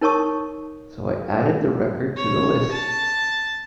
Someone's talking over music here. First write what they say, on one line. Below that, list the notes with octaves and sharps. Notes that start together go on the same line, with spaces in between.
So I added the record to the list.
D#4 A#4 C#5 A5 C#6 D#6
C#5
A5